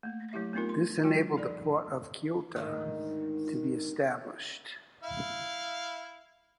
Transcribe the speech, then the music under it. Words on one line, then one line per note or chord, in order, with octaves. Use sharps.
This enabled the Port of Keota to be established.
A3 A#3
F#3 A3 E4 G4 E5
A3 B3 C4 D#4 F4 A#4
C6
F3 G3 F4 F#4 G5 G#5
D#4 A4 D5
D2 G#2 D#3
E4 F5